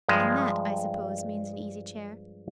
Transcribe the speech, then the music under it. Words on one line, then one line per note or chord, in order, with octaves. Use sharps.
"And that, I suppose, means an easy-chair?"
G2 F3 G#3